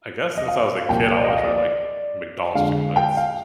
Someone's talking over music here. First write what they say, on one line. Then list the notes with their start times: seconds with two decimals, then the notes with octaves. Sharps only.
I guess since I was a kid, I always really liked McDonald's chicken nuggets
0.37 D#5
0.48 F5
0.89 C2 A#2 F3 A#3 G5
1.16 D5
1.24 D#5
1.30 F5
1.37 D#5
1.44 D5
1.58 D5
2.55 F2 D3 G#3 F5
2.96 G5
3.17 F5